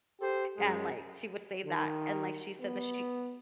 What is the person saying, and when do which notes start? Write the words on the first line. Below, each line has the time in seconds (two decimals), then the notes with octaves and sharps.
and, like, she would say that, and, like, she said that she
0.20 G4 A4 C5
0.57 F#2 G#3
1.66 D#3
2.61 B3